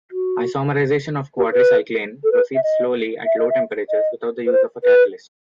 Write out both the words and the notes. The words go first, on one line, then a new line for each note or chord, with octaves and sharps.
Isomerization of quadricyclane proceeds slowly at low temperatures without the use of a catalyst.
F#4
G4
B4
A4
B4
E5
D#5
E5
D#5
E5
D#5
B4
C5
B4